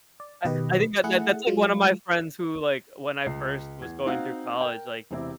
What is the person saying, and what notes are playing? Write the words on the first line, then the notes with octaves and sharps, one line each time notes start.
Uh, I think that that that's like one of my friends who, like, when I first was going through college, like,
D5
B2 D#3 G4 B4 D#5
A3 E4 G#4 F#5
F#3 G#3 F4
C#2 C7
E2 G#6
C4 D#4 F#4 F5 F#5
A#4 G5
E1 C3 C4 E4 G4